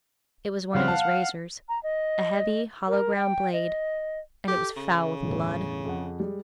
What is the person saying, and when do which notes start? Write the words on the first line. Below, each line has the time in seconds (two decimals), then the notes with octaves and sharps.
It was one of his razors--a heavy hollow-ground blade--and it was foul with blood.
0.74 C#3 G3 C4 F5 F#5
0.88 A5
1.69 A#5
1.83 D#5
2.88 A#4
3.16 G5
3.53 D#5
4.48 G4 A4
4.77 C#3
5.23 G1 E2 A2
5.85 F2 G#4 F#5
6.20 G3 G#3